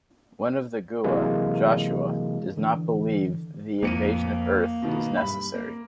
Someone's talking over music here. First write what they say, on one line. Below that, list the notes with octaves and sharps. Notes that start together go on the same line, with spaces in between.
One of the Gua, Joshua, does not believe the invasion of Earth is necessary.
C3 E3 F#3 G#3 A#3
D3 E3
F2 A#3 C#7 D#7
B2 D#3 B3
G2 B5
A#3